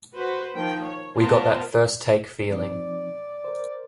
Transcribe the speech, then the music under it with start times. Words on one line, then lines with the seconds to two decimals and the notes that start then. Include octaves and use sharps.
We got that first take feeling.
0.15 F#4 B4 C5
0.55 D#3 F3 A#3 G5
0.84 C#5
1.17 B3 F4 A#4 C5 A5
2.50 F3 C4 D#4 D5
3.44 A#4 C5